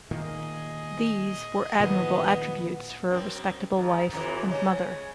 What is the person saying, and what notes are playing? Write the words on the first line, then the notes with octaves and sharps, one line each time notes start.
These were admirable attributes for a respectable wife and mother.
A#2 D#3 A#3 G#4 D#5
A#2 D#3 F3 B3
F#2 C4
G#2 F3
F2 C3 E3
C#3 G#3